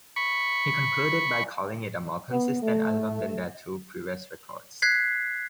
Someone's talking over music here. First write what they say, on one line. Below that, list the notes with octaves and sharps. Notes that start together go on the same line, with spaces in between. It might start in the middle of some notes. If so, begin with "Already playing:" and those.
He concluded by calling it "a more consistent album than their two previous records".
B5 C#6
B3
A3
F#6 G#6 B6 C7